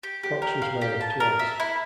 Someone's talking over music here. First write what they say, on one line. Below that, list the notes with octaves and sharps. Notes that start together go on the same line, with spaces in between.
Cox was married twice.
G4
G4
A#4
F5
G4
A5
A#4
E5
E4